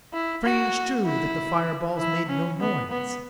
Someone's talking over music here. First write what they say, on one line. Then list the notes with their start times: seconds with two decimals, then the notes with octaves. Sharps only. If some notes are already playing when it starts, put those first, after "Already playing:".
Strange, too, that the fireballs made no noise.
0.13 E4
0.44 F#4
1.05 E4
1.98 E4
2.29 C#4
2.60 B3
2.90 B3